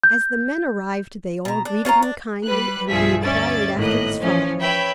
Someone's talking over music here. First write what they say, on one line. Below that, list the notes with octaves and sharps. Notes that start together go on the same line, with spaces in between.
As the men arrived they all greeted him kindly, and inquired after his father.
G6
B2 A#5
D4
C#4 F4 C#5 A#5
D4
G3 B4 F#6
B1 G2 F3 G#4 E5 B6
D2 C#4 D5 E5 A6
G#1 A2 A#3 D#5 F#6
E3 F3 C#4
B4 C#5 E5 G5 B5